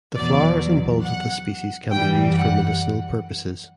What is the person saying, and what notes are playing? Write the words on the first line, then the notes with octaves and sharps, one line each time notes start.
The flowers and bulbs of this species can be used for medicinal purposes.
E2 B2 F#3 D5
F#5
F#2 E3 G3 G5
F#5